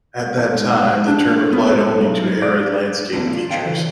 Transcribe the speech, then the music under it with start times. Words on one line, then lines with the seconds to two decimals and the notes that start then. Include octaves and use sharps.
At that time, the term applied only to arid landscape features.
0.37 A2
0.54 G#2
0.71 F#5
1.08 D4
1.53 B3
1.81 A4
2.01 B1
2.42 D5
3.13 A2 D3 E3 G3 B3 D4
3.33 F4
3.51 A4 C5 C#5 D#5 F5 G5
3.65 C#3 E3